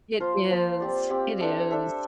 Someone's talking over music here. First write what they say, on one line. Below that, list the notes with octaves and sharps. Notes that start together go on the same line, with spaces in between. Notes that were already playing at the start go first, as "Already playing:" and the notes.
It is. It is.
F3 A#3 F4 C5
F3 A#3 F4 C5
C4 G4 D5
C4 G4 D5
D4 A4 E5
D4 A4 E5